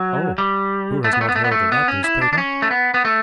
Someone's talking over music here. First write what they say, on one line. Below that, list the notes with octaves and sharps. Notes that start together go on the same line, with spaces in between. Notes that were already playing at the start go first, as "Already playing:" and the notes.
"Oh--who has not heard of that newspaper?"
Already playing: F#3
G3
A3
B3
A3
B3
A3
B3
A3
B3
C#4
E4
D4
D4
C#4
A3
B3
B3
A3